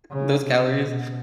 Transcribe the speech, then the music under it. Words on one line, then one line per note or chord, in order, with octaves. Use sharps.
Those calories,
C#3
C3
B2